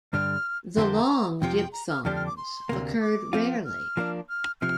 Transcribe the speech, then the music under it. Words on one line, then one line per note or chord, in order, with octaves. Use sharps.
The long diphthongs occurred rarely.
G2 D3 G3 F6
F2 D3 A#3 G4 C5 C6
A#5
F2 C3 F3 C4 G5
G5
A#5
F6
F2 D3 F3 D4 G4 F6
F6
D6
C6
D2 C3 A#3
D6
F3 C4 F4
F6
F3 A#3 D4
F6
C3 F3 F6